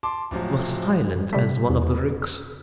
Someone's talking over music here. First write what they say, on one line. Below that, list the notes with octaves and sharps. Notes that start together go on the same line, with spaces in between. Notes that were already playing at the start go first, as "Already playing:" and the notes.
It was silent as one of the ricks.
A5 C6 D6
D1 F3 F#3
C3 G3 A3 B6
E2